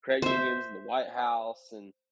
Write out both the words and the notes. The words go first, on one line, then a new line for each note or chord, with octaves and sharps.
credit unions and the White House, and
C5 E5